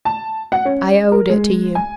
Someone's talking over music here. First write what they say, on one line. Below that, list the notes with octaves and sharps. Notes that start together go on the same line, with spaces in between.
"I owed it to you."
A5
F#5
C#4
A#4
G#3
G#5